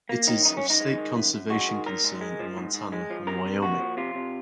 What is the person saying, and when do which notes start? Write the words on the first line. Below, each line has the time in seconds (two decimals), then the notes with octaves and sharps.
It is of state conservation concern in Montana and Wyoming.
0.09 A#3
0.27 D#3 D#4
0.45 F#2 D#4
0.57 C#4
0.63 F#2
0.70 D#4
0.80 G#3
0.98 D#3
1.16 F#2
1.33 F#2
1.50 G#3 F#4
1.68 D#3
1.86 G#2 A#4
2.04 G#2
2.21 G#3
2.39 F3
2.57 G#2
2.74 G#2
2.92 G#3
3.10 F3
3.27 C3 A#4
3.45 C3
3.62 A#3 F#4
3.80 F3
3.97 C3 F4
4.15 C3